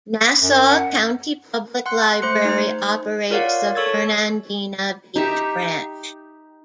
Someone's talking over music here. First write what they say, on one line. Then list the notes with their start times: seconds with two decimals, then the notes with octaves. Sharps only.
Nassau County Public Library operates the Fernandina Beach Branch.
0.42 F#2
0.69 F#5
1.86 F#5 C6 F#6
2.22 A3 C5 C6 F#6 C#7
2.45 D#4 C5
3.30 F4 A#4 C#5 D5 F5 F#5
3.75 A4 C#5 C#6 E6 G#6 A6
5.16 D#4 G4 E5